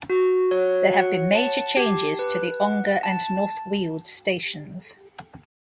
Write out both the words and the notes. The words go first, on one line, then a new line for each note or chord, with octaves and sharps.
There have been major changes to the Ongar and North Weald stations.
F#4
C#5
F#5
A5
G4
B4
F#5
A5